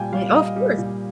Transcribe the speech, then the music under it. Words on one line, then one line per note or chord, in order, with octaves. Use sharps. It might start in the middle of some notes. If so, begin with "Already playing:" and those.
Right, of course.
Already playing: A#2 G3 F5 G5 G#5
G3 F5
F5
G3 D#5
G3
A#2